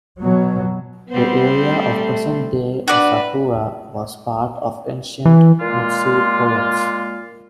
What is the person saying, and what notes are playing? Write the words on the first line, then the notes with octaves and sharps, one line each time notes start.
The area of present-day Asakura was part of ancient Mutsu Province.
B2 F#3
G3 B3 C4 C5
A3
D4 F#4 B4 D5
E3
A#2 G#3 A#3 F4